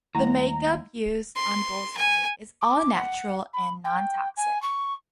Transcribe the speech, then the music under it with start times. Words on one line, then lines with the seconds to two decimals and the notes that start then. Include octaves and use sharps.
The makeup used on Bullseye is all natural and non-toxic.
0.15 D#2 G3 A3 E4 A#5
1.36 C6
1.97 G#5
2.61 D6
2.94 F#5
3.53 B5
3.84 G5
4.37 G#5
4.62 C#6